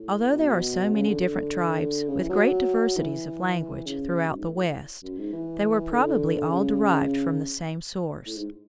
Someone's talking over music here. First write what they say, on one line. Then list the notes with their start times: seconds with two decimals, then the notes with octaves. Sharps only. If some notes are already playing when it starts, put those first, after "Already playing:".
Although there are so many different tribes, with great diversities of language, throughout the West, they were probably all derived from the same source.
Already playing: A2
0.33 B2
0.92 C#3
1.06 D3
1.21 D3
2.09 C#3
2.19 E3
2.30 F#3
2.97 E3
3.85 C#3
4.27 F#2
4.36 G#2
4.44 A2
4.54 A2
5.03 F#2
5.18 G#2
5.33 E3
5.91 D3
6.50 C#3
8.27 A2
8.36 G#2